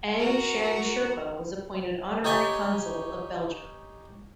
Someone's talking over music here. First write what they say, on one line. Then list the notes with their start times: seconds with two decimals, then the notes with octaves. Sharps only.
Ang Tshering Sherpa was appointed Honorary Consul of Belgium.
0.18 F#4 A#4
2.24 D#4 G4 C#5 G#5 C#6